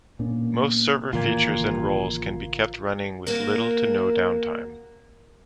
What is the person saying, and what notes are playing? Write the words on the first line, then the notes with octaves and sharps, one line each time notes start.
Most server features and roles can be kept running with little to no downtime.
A#2 A#3 B3 C#4 D4
G#1 A2 C#3 E3 A#3 F4 A#4 G#6
A#3 F#4 A#4